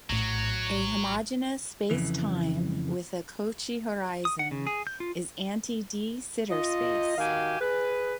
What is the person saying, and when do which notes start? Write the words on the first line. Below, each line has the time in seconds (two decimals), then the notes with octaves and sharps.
A homogeneous space-time with a Cauchy horizon is anti-de Sitter space.
0.10 A#1 A2 F#3
1.91 F2 C#3 E3
4.25 D#6
4.39 F#5
4.51 C#3
4.67 G#4
4.87 G6
5.00 F4
6.51 F4 D#5
7.18 D#3 F#4 G4 F5 G#5
7.60 G#4 B4